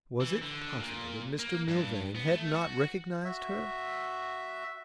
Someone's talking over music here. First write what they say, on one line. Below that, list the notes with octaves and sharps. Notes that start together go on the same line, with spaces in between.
Was it possible that Mr Milvain had not recognised her?
E3
D3
A#2
A#3
G2
B3
A3
F#4
F#4 E5